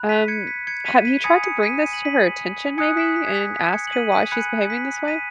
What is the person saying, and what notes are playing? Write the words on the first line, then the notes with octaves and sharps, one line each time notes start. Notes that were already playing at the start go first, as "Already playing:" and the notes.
Um, have you tried to bring this to her attention, maybe? And, ask her why she's behaving this way?
Already playing: B5 F#6
B6 D#7
G#6 C#7
B6
G#6 C#7
B6 D#7
B6 D#7
G#5 B5 D#6 G#6 C#7
G#6 C#7
B6 D#7
D#7
F#7
B6 D#7
G#5 D#6 F#6 G#6 C#7
B6
B6
G#6
B6
B6
G#6 C#7
F#7
B6 D#7
B6 D#7
G#5 B5 F#6 G#6 C#7
B6
B6 D#7